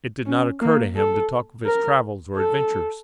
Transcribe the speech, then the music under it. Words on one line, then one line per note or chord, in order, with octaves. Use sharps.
It did not occur to him to talk of his travels or adventures.
C#4
A#3
A4
A#4
A4